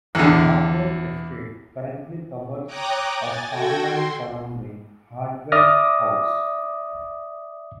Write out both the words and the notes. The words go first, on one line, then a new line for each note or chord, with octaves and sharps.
The Hartwell Estate currently covers of farmland surrounding Hartwell House.
E2 D3
C#5 G5 A#5 D6 D#6 F#6
G#5 A6
F#4 A4 G5 G#6 A#6
C6
D5 E5 D6 D#6 F6 A#6